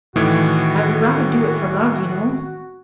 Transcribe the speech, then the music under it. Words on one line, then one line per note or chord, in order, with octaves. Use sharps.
"I would rather do it for love, you know."
A2 D#3 E3 F#4